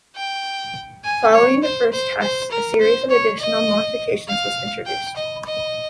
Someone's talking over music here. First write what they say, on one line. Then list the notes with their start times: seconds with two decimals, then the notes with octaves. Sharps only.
Following the first tests, a series of additional modifications was introduced.
0.16 G5
1.04 G#5
1.33 C#5
1.63 C5
1.92 C5
2.21 C5
2.51 A#4
2.81 C5
3.10 C#5
3.39 D#5
4.28 F5
4.86 G5
5.16 D#5
5.45 D#5